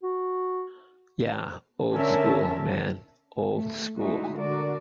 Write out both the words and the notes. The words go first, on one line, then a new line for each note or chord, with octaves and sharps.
Ya, old school, man, old school.
F#4
D3 C#4 A#4 E5 A5
A3
D3 G#3 A3 D#4 E4 F#4
D3 F#4 A#4 D5